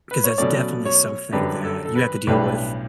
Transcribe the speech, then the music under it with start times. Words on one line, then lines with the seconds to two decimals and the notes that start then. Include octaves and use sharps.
'cause that's definitely something that you have to deal with,
0.11 B4
0.24 C#5
0.38 B2 F#3 A3 C#4 D5
0.85 C#5
1.33 F#2 D3 G3 D4 B4
1.64 A4
1.85 A4
1.96 B4
2.27 B1 A2 G3 D4 B4